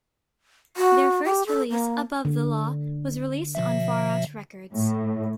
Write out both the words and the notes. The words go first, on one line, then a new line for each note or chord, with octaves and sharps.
Their first release "Above The Law" was released on Far Out Records.
F#4
G4
A4
A#3
D3
B2 F3 E5
A2